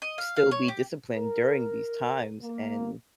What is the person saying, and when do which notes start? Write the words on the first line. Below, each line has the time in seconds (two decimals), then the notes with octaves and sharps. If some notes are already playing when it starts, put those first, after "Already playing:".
still be disciplined during these times, and,
0.02 D#5
0.18 F5
0.36 F5
0.51 C#5
0.68 G4
1.14 A#4
2.43 A#3